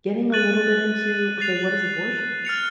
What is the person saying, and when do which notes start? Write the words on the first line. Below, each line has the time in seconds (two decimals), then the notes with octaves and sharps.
getting a little bit into, "Okay, what is abortion?"
0.32 F#6 A6 D#7 F#7
1.39 F#6 A6 C7 F7
2.45 F6 A6 C#7 F7